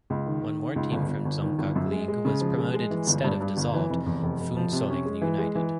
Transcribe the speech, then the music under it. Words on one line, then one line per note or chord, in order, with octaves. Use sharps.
One more team from Dzongkhag League was promoted instead of dissolved Phuentsholing United.
C#2
D#3
D#3
D#3
C#2
G1
G1
G1
D#3
G1
F#2
G#3
G#3
C#3
F3
G#3
G#3
E3
G1
G2
G2
G1
E3
F1
E2
F1
F1
F3
C3
C#4
G#3
E3
G#3
E3